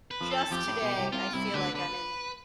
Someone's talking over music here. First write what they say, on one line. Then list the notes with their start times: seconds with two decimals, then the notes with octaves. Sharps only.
just today, I feel like I'm in
0.11 B4
0.21 F2 F3
0.31 A4
0.51 F2 F3 G4
0.68 A2
0.82 B2
0.97 C2 C3
1.13 C2 C3 F4
1.33 C2 C3 E4
1.54 D2 D3 B4
1.74 D3 B4